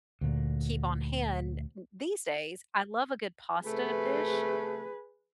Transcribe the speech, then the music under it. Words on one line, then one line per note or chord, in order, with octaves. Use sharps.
keep on hand th these days, I love a good pasta dish.
D2 A#2
C3 A3 G#4 B4